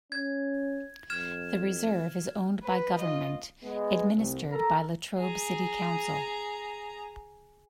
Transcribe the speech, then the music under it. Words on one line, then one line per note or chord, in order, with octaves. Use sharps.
The reserve is owned by government, administered by Latrobe City Council.
C#4 G#6
F2 F6 G#6 E7
B4
F4 D#5
G#3 B3
C2
A4 A#4 A#5
G#4 A#5